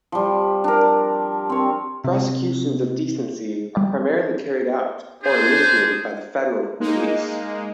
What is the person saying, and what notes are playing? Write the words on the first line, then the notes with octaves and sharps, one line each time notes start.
Prosecutions of decency are primarily carried out or initiated by the federal police.
F3 G3
D4 A#4
C4 C#5
C3
G3
D4 G#4 C5
G#3 A#3 D#4